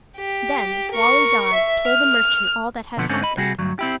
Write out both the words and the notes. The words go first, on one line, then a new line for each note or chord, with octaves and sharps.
Then Wali Dad told the merchant all that had happened.
G4
A#4 C#6
E5
F6
B2 D3 F3 B3
G#2 D3 C4 C#4
D#5 B5
C3 G3 F#4 G#4
D2 G2 F#3
C4 E4 G4